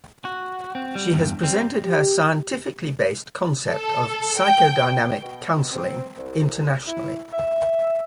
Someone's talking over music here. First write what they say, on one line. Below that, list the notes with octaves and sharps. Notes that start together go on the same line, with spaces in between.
She has presented her scientifically based concept of psychodynamic counseling internationally.
F#4
C4
G3
E2 G2
G3 C4
G4
A4
G5
B2
C4
C2
E4
E5